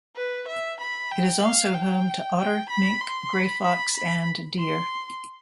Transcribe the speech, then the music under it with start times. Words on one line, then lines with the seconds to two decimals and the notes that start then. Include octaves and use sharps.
It is also home to otter, mink, grey fox and deer.
0.16 B4
0.48 E5
0.80 B5
1.11 G5
1.43 F5
1.74 G5
2.38 G5
2.69 B5
3.01 C6
3.33 B5
3.64 B5
3.96 B5
4.59 C6